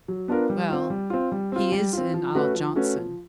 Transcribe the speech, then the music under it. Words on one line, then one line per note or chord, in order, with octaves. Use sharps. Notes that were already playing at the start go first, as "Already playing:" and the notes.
"Well, he is in Isle Johnson."
F#3
B3 D4 F4 A#4
G3
C4 F4
G3
C4 F4
G3
C4 F4
G3
C4 F4
F3
A3 C#4 F#4 B4
F3
A3 C#4 F#4 B4
F3